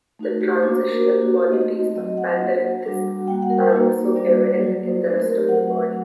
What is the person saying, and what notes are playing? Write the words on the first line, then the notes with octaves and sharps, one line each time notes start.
The transitional qualities of "Panderichthys" are also evident in the rest of the body.
A3 D#4 F#4
G4
A#3 D4 F#4 C5
C5
A#4
A#3 D4 F#4 G4
F#4
G4
A3 C4 D#4 F#4 D#5
F#3 C4 F#4 D#5
F#5
A#3 D4 F#4
G3 D4 F#4
G3 A#3 F#4 G5
F#5
A#4
C5
A#3 D#4 F#4
G3 A#3 D4 F#4 D5
F#3 A#3 F#4
A3 C4 D#4 C5
A#4
G4
F#3 A3 C4 F#4 F#5